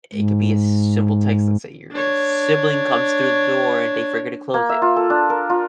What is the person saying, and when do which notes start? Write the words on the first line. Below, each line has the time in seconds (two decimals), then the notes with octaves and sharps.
it could be a simple text, let's say your sibling comes through the door and they forget to close it,
0.14 G#2
1.91 D4 C#5
4.54 A#3
4.69 E5
4.82 F4
4.96 A4
5.10 D4
5.30 A#4
5.49 F4